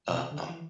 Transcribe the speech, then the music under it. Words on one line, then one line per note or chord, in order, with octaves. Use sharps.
uh, um,
B2
C3
D3
E3